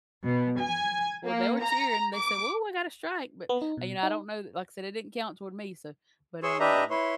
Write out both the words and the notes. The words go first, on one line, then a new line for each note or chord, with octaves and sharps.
Well, they were cheering, they said, "Whoo, I got a strike," but, uh, you know, I don't know like I said, it didn't count toward me, so but, um b
B2
G#5
A#3
A#5
D6
B3
D#4
B2
D#4
G#4 C#5 C6 C#6 E6
D4 G4 B4 D#5 E5 A#5
E4 B4 C#5 C6